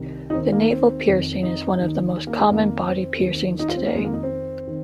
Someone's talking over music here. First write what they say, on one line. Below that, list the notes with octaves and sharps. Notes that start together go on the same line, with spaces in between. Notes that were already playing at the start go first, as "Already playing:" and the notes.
The navel piercing is one of the most common body piercings today.
Already playing: C2 C3 D#3
D#4
D#2 D#3 C4
A#3
C4
F2 D#3
D#4
D#2 D#3
A#3
G#3
F2 D#3 A#3
C4
D#2 D#3
D#4
F4
C4
A#3
F2 D#3 G#3
A#3
D#4
C4
D#3